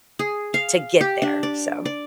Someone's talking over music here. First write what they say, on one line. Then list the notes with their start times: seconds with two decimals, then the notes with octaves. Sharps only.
to get there, so
0.19 G#4
0.54 F5
1.01 G4
1.22 D4
1.43 D5
1.85 D5